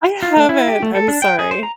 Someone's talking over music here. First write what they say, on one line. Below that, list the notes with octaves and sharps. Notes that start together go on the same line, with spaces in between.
I haven't, I'm sorry.
F4
A3
E4
G4
A3
A4
D4
G5
G#4
C5
A#5